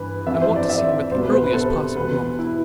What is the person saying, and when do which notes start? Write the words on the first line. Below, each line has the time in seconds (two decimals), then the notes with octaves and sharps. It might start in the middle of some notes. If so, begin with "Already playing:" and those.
I want to see him at the earliest possible moment.
Already playing: G2 E3 B4
0.26 F2 E3 E5
0.41 C5
0.56 D5
0.69 E5
1.12 C2 B2 C5
1.22 B4
1.33 C5
1.44 B4
1.53 A4
1.95 E2 B2 B4
2.39 E4